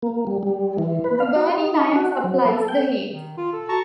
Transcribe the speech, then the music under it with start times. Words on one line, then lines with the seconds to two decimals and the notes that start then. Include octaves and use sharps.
The burning iron supplies the heat.
0.03 A#3
0.27 G3
0.43 G3
0.78 E3
1.04 B4
1.20 F5
1.36 F#4
1.58 D#4
1.96 F#4
2.24 F#3
2.48 A4
2.68 G5
3.12 D#3
3.37 F4
3.52 A4
3.69 F#4 A5 A#5 C#6